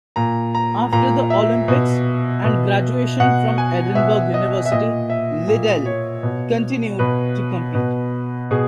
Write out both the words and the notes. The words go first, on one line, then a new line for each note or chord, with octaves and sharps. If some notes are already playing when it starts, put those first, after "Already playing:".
After the Olympics and graduation from Edinburgh University, Liddell continued to compete.
A#2 A#5
A#5
A#2 A#5
E5
B2
B2
B2 F#5
G#5
B2 E5
D#5
E5
A#2 D#5
E5
A#2
C#5
B2
B2 B4
B2
B2 G#4